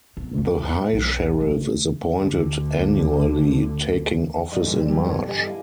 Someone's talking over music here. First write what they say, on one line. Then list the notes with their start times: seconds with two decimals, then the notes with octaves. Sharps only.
The High Sheriff is appointed annually, taking office in March.
0.17 B2
0.38 G2
0.93 B1 E3
1.41 A3
2.16 D2 D3
4.52 F#3 D5 D#5
4.64 A2 D3 E3 G3
4.88 E3 F#3 G3 G4 G#5
5.05 G2 B2 A4 C#5
5.27 D3 E3 G4 D#5 G#5
5.46 E4 F5